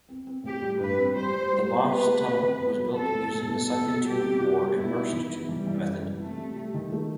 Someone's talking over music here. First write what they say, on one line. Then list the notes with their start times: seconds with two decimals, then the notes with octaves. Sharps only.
The Maastunnel was built using the sunken tube or immersed tube method.
0.09 C4
0.27 C4
0.44 A2 G4
0.62 G3
0.80 G2 B4
0.98 C4
1.16 G3 C5
1.34 G3
1.53 G3
1.70 B3
1.88 G4 B4
2.06 A3
2.24 C4
2.42 C4
2.60 B3
2.78 F#3
2.96 C4 A4
3.14 A2
3.32 B2
3.50 B2
3.68 B2 A4
3.87 B2
4.05 G3 G4
4.22 C3
4.40 F#4
4.58 G3
4.76 B2 E4
4.94 D#4
5.13 E3
5.31 B3
5.48 E3 G3
5.66 E3
5.84 F#2
6.02 E3
6.20 C3 A3
6.38 C3
6.56 G3
6.74 D#3
6.92 A3